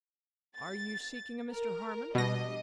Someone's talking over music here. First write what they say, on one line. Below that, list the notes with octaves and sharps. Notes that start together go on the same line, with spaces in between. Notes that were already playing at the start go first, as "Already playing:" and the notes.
'Are you seeking a Mr Harmon?'
A6
A#4
B2 G3 D4 D#5 A#6